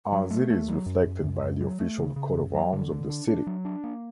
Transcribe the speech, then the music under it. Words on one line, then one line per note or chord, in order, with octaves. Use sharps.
As it is reflected by the official coat of arms of the city.
F#3
A3
A3
F#3
F#2
F#2
F#2
F#2
F#3
A3
C#3
C#3
F#2
F#3
D3
D3
D4
D4
F#3
D4
A#3